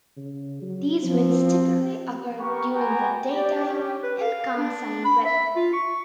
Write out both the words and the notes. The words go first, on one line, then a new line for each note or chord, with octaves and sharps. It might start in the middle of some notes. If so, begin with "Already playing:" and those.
These winds typically occur during the daytime in calm sunny weather.
C#3
F#3
F3 C4
B3 G4 A#4 B4 C#6
B3 F#4 G4 G5 G#5 A#5
G4 D5
C#4 G4
B4
F5
D4
B5
E5
F4
C#6